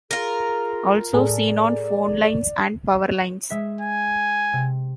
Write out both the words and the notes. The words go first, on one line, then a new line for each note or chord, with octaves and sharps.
Also seen on phone lines and power lines.
F4 G#4 A#4
A2 G#4 A4 D5
G#3 E5 B6
G#5
C3